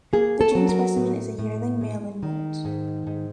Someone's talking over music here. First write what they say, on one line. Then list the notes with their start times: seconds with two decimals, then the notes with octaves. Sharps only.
The June specimen is a yearling male in moult.
0.13 A#3 G#4
0.41 A4
0.55 F#3
0.69 A#4
0.97 A2
1.39 A2
1.81 G#3
2.23 D#3
2.65 G#2
3.07 G#2